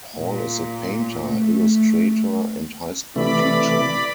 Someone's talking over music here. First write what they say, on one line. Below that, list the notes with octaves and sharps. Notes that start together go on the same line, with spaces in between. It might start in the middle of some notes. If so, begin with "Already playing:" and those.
Hall is a painter, illustrator and high school teacher.
A#2
A3
C3 E3 A3 D5 B5